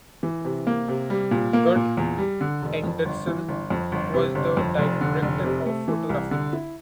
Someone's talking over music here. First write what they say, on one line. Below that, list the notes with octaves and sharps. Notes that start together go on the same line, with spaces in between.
Gert Andersen was the director of photography.
E3
C3
A#3
C3
G3
A#2
A#3
A#2
E2
G3
D3
E1
F2
G1
E3
G1
F2
G1
C3
G1
F2
F1
D3
F1
C3
A3
E3
C2
D3
E4